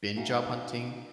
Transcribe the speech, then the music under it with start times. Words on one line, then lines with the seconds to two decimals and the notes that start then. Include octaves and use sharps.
been job hunting,
0.16 C#4 D#4 F#4 E5 F5